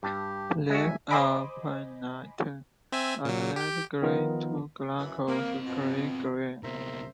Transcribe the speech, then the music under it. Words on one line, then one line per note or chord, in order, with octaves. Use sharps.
The leaves are pinnate and light green to glaucous grey-green.
G2 G4 A5
G#3 F#4 E5 G#5
C5 D#5 G#5 B5 D6
C4 E5 G#5
A#2 F#3
G4 G5
D#3 F3 B3 D#4 F4 A#4
F#2 B2 E3
A#3 C4 D#5
B2 F3
C#2 B2 A#4 C5 E5